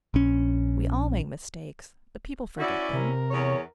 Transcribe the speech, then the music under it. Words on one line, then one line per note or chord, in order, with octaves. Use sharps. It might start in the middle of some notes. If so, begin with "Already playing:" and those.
We all make mistakes . . . but people forget them.
A#1 C#4
C#4 E4 F#4 D5
C3 A#4
E2 C#5